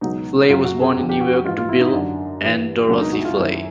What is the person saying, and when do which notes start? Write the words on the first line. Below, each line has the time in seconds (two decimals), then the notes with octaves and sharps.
Flay was born in New York to Bill and Dorothy Flay.
0.01 C#2 B2 F#3 D#4
0.49 F#2 C#3 F#3 F4
0.65 F#4
0.81 G#4
0.96 F2 D3 F3 G4
1.09 G4
1.21 F#4
1.33 F#4
1.44 G#2 E3 F4
1.57 F4
1.69 E4
1.80 D#4
1.93 F#2 D3 F#3 D4
2.41 G2 E3
2.88 C#2 B2 F#3 D4
3.01 D#4
3.12 F#4
3.19 E4
3.25 F4
3.36 F#2 D#3 F#3 E4